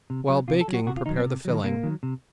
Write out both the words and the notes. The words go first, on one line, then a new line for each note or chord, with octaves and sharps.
While baking prepare the filling.
C3
F#3
C3 F4
A4
F#3
F#4
C3 F#4
F4
D#3 F#3 D#4
C4
C3
D#3 F#3
C3 A#3
D#3 F#3
C3